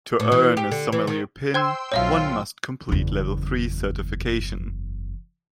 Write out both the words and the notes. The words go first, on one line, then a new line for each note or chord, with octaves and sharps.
To earn a sommelier pin, one must complete level three certification.
A2
E3
G4
D3
E3
D#3
C5 G5 C6 E6 G#6
B1 F3 F4 C#5 E5 F5
F#1 E2